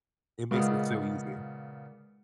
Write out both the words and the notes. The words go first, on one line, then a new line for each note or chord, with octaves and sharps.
it makes it so easy.
A#2 C#3 G#3 B3